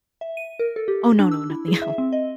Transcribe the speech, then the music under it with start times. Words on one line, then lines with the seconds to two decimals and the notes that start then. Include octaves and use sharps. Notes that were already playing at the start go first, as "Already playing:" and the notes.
Oh, no, no, nothing else.
0.21 E5
0.37 D#7
0.59 A#4
0.76 A4
0.88 G4
1.19 D4
1.31 E6
1.50 E4
1.68 G#4
1.82 E5
1.98 C4
2.13 D#5